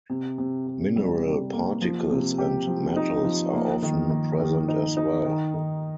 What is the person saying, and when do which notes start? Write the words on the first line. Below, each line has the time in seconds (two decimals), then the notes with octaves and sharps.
Mineral particles and metals are often present as well.
0.10 C3
0.38 C3
0.67 C3
0.96 G3
1.24 C3
1.53 A#3
1.81 F3
2.10 C3
2.38 G4
2.67 F3
2.96 D#4
3.25 F3
3.53 A#3
3.82 D#3
4.10 D#3
4.40 D#3
4.68 D#4
4.97 D#4
5.25 D#3
5.54 D#3